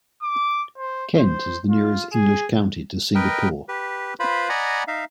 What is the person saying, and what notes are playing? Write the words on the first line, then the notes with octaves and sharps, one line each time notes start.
Kent is the nearest English county to Singapore.
D6
C5
C5
F4
G#4
A#4 B4 D#5 G5
G4 B4
F4 B4 C5 B5
D5 D#5 F#5 G#5 A#5 B5
D#4 E5 F5